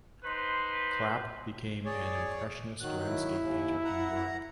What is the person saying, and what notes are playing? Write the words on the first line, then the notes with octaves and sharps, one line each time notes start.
Clapp became an Impressionist landscape painter in Europe.
D#4 B4 C5 C6
G#4 C#5 D5
D#3 F#3 F#6
E4
D#2
F#5 A#5